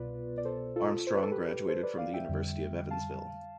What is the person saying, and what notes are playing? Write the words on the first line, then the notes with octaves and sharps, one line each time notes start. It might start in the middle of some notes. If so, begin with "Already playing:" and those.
Armstrong graduated from the University of Evansville.
Already playing: C2 B2 B3 F4 B4 D5
D5
A4 C5
F4 A4
C5
B4
A4
G4 B4
A4 C5
B4 D5
D5 F5
E5 G5
F2 D3 G3
F5 A5